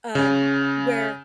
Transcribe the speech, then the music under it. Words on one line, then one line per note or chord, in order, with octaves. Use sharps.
um, where
C#3